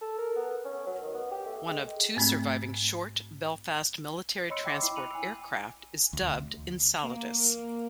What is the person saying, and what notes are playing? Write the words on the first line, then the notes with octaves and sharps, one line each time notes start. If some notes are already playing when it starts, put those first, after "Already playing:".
One of two surviving Short Belfast military transport aircraft is dubbed "Enceladus".
A4
A#4
B3
C#4
F#3
D#3
B3
G4
A3
G#3
G#2 A3 C4
C#5 D#5 B5 C6 E6 C#7
E5 G5 B5 D6 E6
E4 G5 B5 D6 C7
F#6 C#7 D#7 F7 F#7
G#5 E6
D2
A#3